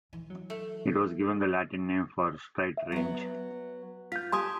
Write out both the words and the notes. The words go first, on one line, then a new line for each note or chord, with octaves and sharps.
It was given the Latin name for "Straight Range".
E3
F#3
A3
E5
F#3 B3
F4 G6 B6
G4 G#5 A5 C6 D#6